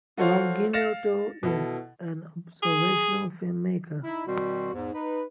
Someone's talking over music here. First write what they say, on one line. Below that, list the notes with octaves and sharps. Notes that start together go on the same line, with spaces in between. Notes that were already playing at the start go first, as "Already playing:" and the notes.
Longinotto is an observational filmmaker.
F4 F#4 A4 C5 C#5 F5
F5 F6 A6 A#6 C#7 E7
B2 E4 A4
G#4
D#4 E4
B2 D#3 G3 C4 F#4
E2 G#2
D#4 B4